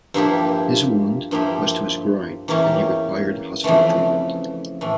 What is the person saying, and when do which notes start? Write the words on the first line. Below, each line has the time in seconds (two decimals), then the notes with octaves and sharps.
His wound was to his groin and he required hospital treatment.
0.14 G2 F3 A#3 E4 G4
1.31 G2 F3 A#3 E4 G4
2.48 E2 E3 A#3 C#4 G4
3.64 F2 C#3 E3 A3
4.81 A2 E3 A3